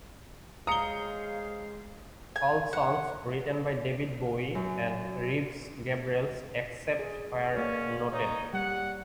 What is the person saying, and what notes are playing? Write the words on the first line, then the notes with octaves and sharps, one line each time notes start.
All songs written by David Bowie and Reeves Gabrels except where noted.
G#3 C5 C#5 F5 A#5 D#6 C#7 G7
G#5
F#5
F#2
G#4
A#3 C#4 D5
D#4 C#5
G3 F#5